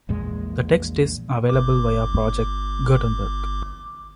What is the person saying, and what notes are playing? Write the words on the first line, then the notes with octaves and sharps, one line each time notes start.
The text is available via Project Gutenberg.
A#1 E2 A#2 G#3
G1 D6